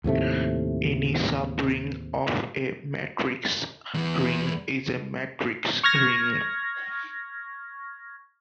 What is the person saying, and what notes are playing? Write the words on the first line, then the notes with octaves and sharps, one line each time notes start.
Any subring of a matrix ring is a matrix ring.
D#2 A2 C3 A3
E2 E3
C#6 F6 G#6 A#6